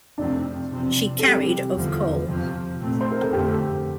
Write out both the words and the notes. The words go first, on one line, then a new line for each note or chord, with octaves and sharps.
She carried of coal.
F2 C3 F3 A3 C4 D4
E2 C3 F3 C4
A4
C3 E3 G3 C4 G4
E2 D3 F3
F2 C3 F3
A#2 A3 C4
C5
A#4
A4
F2 D3 A3 G4